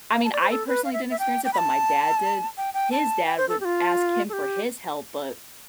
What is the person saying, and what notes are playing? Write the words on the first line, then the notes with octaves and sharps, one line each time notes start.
I mean, I personally didn't experience it, but my dad did. His dad would ask him for his help, but
F5
A5
D5
C5
A4
B4
F5
E5
E5
G5
G5
B5
A5
G5
G5
A5
G5
C5
A4
G4
F4
A4
G4